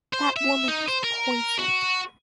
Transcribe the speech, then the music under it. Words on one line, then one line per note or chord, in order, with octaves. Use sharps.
That Woman Is Poison!
C5
E5
D#4
C5
A#4
F#4